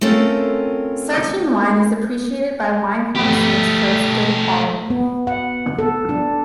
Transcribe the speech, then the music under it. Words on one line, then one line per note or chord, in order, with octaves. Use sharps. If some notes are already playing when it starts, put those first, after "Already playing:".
Sartene wine is appreciated by wine connoisseurs for its good quality.
A3 C4 C#4 F4 A4 A#4
A3 G4
B3
F#5
A4
D4